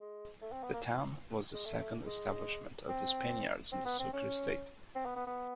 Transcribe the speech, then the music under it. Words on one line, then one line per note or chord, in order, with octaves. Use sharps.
The town was the second establishment of the Spaniards in the Sucre State.
G#3
A3
C4
B3
A#3
G#3
A3
G#3
C4
C4
B3
C4
C#4
C4
B3
B3
B3